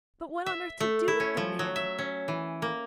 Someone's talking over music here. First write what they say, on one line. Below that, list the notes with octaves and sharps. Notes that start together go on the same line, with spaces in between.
But what on earth to do with the man?
E5
A3
E4
C#4
F3
F#3
E5
C#4
E3
A#3